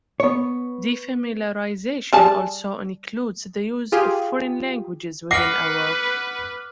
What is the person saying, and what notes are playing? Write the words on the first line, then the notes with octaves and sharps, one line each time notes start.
Defamiliarization also includes the use of foreign languages within a work.
B3 C#5
G3 G#4 A5
F4 G4 G#4
B4 F#5 D6 F6 A#6 C7